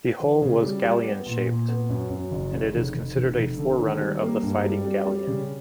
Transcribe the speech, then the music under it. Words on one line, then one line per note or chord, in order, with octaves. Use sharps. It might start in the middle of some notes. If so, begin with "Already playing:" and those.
The hull was galleon-shaped, and it is considered a forerunner of the fighting galleon.
E3
C#3
G3
G3
B3
A#2
A#2
B3
F#2
F#2
F#1
C#3
F1
F1
F1
F1
D3
D#2
G3
A#3
G2
G3
G3
G3
C#3